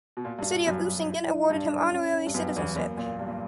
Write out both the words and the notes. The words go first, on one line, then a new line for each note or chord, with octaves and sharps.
The City of Usingen awarded him honorary citizenship.
B2
A#2 F#4
G2
F#2
E4
G2 D4
C#4
G2
F#2 B3
E2
F#2 A#3
A#2
G2
A#2